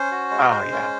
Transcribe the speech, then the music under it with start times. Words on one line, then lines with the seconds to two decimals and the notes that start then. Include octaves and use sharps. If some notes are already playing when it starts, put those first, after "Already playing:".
Oh, yeah.
Already playing: C#4 C5
0.11 F#4
0.31 G#3
0.51 G#3 C5
0.71 C#4